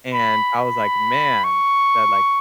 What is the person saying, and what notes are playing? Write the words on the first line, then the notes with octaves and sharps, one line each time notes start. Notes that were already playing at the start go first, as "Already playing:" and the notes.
And I was like, "Man," that, like,
B5
B5
C#6